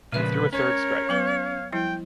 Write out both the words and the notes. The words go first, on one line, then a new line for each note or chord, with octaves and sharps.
He threw a third strike.
A#2 C#3 F3 G#3 B4 E5
C#4 A#4 C#5
F#3 B3 B4 F5
F3 G3 E4 G5